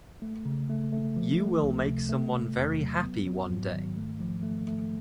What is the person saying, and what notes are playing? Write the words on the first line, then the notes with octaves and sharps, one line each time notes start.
You will make someone very happy one day.
A3
C#3
A3
A3
F3
A3
C#2
C3
A3
A3
E2
F#3
B3
F#3
G#2
D#3
A3
F3
A3
A3